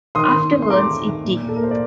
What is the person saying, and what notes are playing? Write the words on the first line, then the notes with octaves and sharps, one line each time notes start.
Afterwards It Did.
D#3 C6 D#6
D#3
C4
C6
A3 A#5 D6
D#3
D#3
A#2
A#2
A4
A#4
A#3 C5
D5